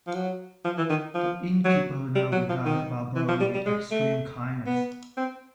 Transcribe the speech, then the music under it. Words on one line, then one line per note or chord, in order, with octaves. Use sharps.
The innkeeper now regarded Barbara with extreme kindness.
F3
F#3
F3
E3
D#3
F3
F#3
G3
F#3
F3
D#3
E3
F3
G3
G3
G#3
A3
B3
C4